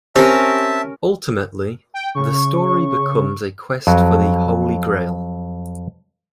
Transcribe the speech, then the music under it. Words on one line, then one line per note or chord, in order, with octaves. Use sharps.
Ultimately the story becomes a quest for the Holy Grail.
C4 C#4 G4 A#4 E5 A5
G5
C#3 C#6
F2 F#3